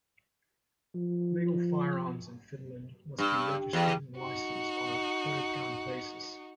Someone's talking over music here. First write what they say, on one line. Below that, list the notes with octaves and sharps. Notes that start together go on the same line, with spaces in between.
Legal firearms in Finland must be registered and licensed on a per-gun basis.
F3
G2
E2
D#4 F#4